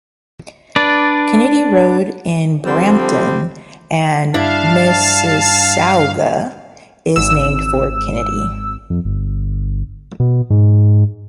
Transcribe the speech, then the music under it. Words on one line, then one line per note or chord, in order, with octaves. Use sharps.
Kennedy Road in Brampton and Mississauga is named for Kennedy.
D4 B4 D5
D3 F3 G3 C4
G2 D4 E4 F5 A5
G#1 E6
F2
G1
B2
G#2